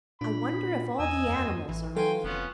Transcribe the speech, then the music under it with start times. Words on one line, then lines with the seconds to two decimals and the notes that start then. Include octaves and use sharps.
"I wonder if all the animals are in there."
0.21 A#2 D4 B5
0.99 E2 D#5 G#5 E6
1.27 F#2
1.69 A1 E3
1.96 F#3 A4 B4 F5 G5 G#5 C6
2.24 F1 B3 C#4 F4